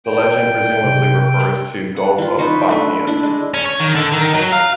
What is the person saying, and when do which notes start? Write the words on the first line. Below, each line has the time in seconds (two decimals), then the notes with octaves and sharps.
The legend presumably refers to Gulf of Bothnia.
0.10 D5 G5
0.84 C3
1.96 F#5
2.18 E3 F4
2.38 D#4 B4 C5 C#6
2.69 A3 D4 B4
3.07 D4 E4
3.23 G#3
3.54 C#4
3.66 C#5
3.80 D#3
3.95 D3
4.13 D#3
4.35 F#3
4.53 F5